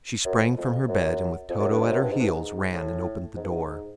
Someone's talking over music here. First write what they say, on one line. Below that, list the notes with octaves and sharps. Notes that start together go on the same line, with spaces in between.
She sprang from her bed and with Toto at her heels ran and opened the door.
F#2
F2
F2
F#2
F2
F#2
G2
F2
F#2
G2
G#2
G2
G#2
A2
G#2
G2
G#2